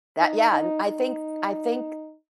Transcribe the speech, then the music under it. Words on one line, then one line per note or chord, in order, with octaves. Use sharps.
that, yeah, and I think I think,
D#4
D#4
D#4